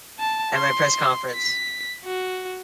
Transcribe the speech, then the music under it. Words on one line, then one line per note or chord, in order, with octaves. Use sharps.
At my press conference.
A5
C6
B6
F#4